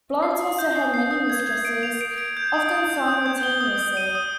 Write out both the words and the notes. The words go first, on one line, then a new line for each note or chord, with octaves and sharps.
Blunt also had many mistresses, often simultaneously.
C7
D#6
G6
C7
C7
D#6
G#6
G#6
D7
F7
D7
D7
G6
D#6
D#6
G6
D#6
G6
G7
D#6
D#6
D#7
D#6